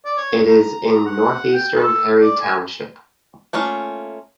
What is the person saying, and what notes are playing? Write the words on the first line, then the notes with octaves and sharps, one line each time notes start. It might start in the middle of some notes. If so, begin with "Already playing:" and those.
It is in northeastern Perry Township.
D5
C#5
A#5
F#5
G5
A4
D5
G#5
A3 A#3 C#4 F4